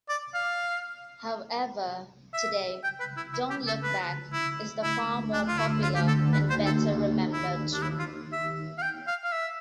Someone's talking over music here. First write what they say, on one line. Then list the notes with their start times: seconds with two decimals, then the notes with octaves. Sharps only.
However, today, "Don't Look Back" is the far more popular and better-remembered tune.
0.09 D5
0.34 F5
2.34 E5
2.84 G5
3.00 B4
3.17 E4
3.33 E4
3.50 G4
3.67 A4
3.83 B4
4.33 E4
4.83 E4
5.33 D4
5.48 F4
5.58 E4
5.83 F4
5.95 G4
6.08 A4
6.33 B4
6.50 C5
6.66 A4
7.33 E4
7.73 D4
7.82 E4
7.99 F4
8.32 E5
8.78 F5
8.82 G5
9.07 F5
9.24 F5
9.32 E5